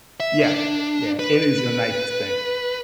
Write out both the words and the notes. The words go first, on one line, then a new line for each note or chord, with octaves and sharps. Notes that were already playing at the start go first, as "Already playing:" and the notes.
Yeah. Yeah, it is a nice thing.
E5
D4
B4